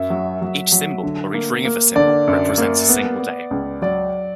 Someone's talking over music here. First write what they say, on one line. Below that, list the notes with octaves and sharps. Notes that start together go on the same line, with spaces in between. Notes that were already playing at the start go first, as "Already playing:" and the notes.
Each symbol, or each ring of a symbol, represents a single day.
Already playing: F#2 E5
F#3
F#3
F#3
D3
A#3
A#3
D3 D5
F#2
A#3
B3
B3
C#2
F#3 D5